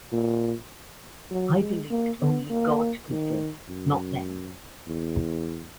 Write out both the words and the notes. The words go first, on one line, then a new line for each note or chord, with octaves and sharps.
I believed only God could give, not them.
A#2
F#3
G#3
A#3
B3
A#3
D#3
F#2
E2